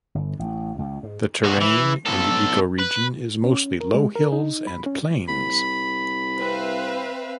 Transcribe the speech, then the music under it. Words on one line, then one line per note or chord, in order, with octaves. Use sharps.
The terrain in the ecoregion is mostly low hills and plains.
G1
A1
C#2
G#2
A#2 F#4
E3
B1 A4
B4
C#4
A#4
G#3
A#4
D#4
B5
C#4
C2 B5
C4 B4 E5 F5